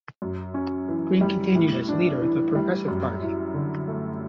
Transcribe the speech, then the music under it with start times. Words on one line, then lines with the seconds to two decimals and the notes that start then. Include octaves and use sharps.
Green continued as leader of the Progressive Party.
0.22 F#2
0.54 C#4
0.88 E3
1.21 G3
1.55 A2
1.89 D4
2.21 E3
2.55 G3
2.88 F#2
3.22 E4
3.54 D3
3.88 A3